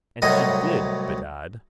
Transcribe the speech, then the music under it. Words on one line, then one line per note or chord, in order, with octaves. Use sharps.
And she did bedad.
C2 A2 F#3 D#5